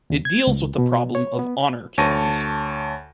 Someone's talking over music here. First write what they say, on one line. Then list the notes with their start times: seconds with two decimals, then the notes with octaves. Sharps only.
It deals with the problem of honour killings.
0.10 D#2
0.25 G#6
0.47 C#2
0.78 B2
1.15 C#5
1.39 B3
1.98 D2 C#5 A5 C#6 A#6 D#7